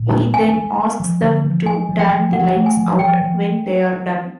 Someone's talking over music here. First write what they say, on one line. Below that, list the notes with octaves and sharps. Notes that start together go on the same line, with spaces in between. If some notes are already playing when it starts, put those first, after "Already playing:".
He then asks them to turn the lights out when they're done.
Already playing: A#2
G#3
C4 G#5
G#3
G#3
F3
D3
F3
G#3 G#5
F3
G5
F3
F3 F#5
A3
G#5
F3
F3 G5
F3